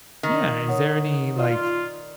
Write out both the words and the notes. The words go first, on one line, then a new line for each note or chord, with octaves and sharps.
Yeah, is there any, like,
D#3
C#5 F#5 D#6
F4 D5